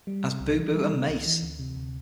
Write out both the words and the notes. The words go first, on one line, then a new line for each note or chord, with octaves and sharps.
As Boo Boo and Mace!
G3
C3
C2
E3
G3
C3
C2
E3
D2
C3
D2